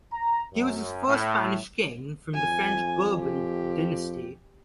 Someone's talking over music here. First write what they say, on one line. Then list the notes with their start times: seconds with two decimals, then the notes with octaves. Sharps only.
He was the first Spanish king from the French Bourbon dynasty.
0.13 A#5
0.54 F#2
1.08 A2
2.34 F2 G#5
3.20 G4